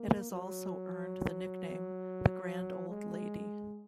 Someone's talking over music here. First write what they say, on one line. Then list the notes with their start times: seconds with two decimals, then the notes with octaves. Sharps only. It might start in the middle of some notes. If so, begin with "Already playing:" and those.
It has also earned the nickname, "The Grand Old Lady".
Already playing: A#3
0.31 F#3
2.89 G#3